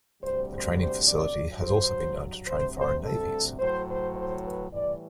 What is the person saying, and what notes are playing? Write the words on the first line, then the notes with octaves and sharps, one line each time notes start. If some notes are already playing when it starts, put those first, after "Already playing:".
The training facility has also been known to train foreign navies.
D2 C3 G3 C5
C5
C5
D5
G2 F#3
C5
D2 C3 G3 C5
C5
A4
A2 F#3 C5
C5
C5
B4
A2 E3 G3 D5